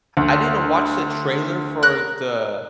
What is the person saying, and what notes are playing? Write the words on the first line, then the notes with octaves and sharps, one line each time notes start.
I didn't watch the trailer for the
D2
A#4 F#6